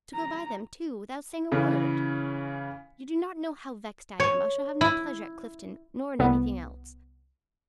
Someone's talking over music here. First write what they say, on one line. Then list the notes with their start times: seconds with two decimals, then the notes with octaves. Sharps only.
To go by them, too, without saying a word! You do not know how vexed I am; I shall have no pleasure at Clifton, nor in anything else.
0.14 A#5
1.51 C#3 E3 C#4
4.20 C#5
4.81 E4
6.19 C2 B3